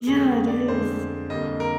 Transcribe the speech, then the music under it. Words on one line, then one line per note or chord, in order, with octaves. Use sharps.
Yeah, it is.
F2 D3 G#3 G#4
D5
F2 D3 G#3 C5
F2 D3 G3 A#3 D#5
A#4